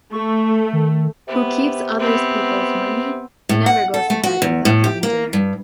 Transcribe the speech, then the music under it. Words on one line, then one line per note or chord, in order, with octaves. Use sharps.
Who keeps other’s people money, never goes to bed without having dinner.
A3 C#6
D#3
C3 B3
B3 C4
A2
F#5
A4
A3
F#4
E2
A2
G4
A#3
G2